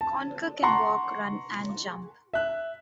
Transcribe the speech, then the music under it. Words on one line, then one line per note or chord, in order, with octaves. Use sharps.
Conker can walk, run, and jump.
A5
F#5 A5 A#5 C6 C#6
E5 F#6